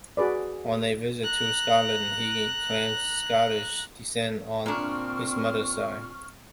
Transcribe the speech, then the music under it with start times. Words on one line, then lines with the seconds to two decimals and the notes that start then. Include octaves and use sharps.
On a visit to Scotland, he claimed Scottish descent on his mother's side.
0.17 F#4 G#4 B4 D5
1.23 A#5 F#6
4.66 A#2 C4 D4 C#6 F6